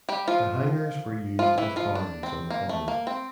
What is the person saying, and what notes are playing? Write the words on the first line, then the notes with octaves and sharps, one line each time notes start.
The hangars were used as barns on the farm.
G3 G4
F3 F4
F3 F4
E3 E4
F3 F4
D4
C4
A#3
A3
A#3
C4